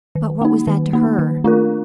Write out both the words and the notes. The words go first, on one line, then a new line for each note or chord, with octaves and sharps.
But what was that to her?
D#3
A#3 D#4
D#3
A#3 D#4
D#3
A3 D4 F4 A#4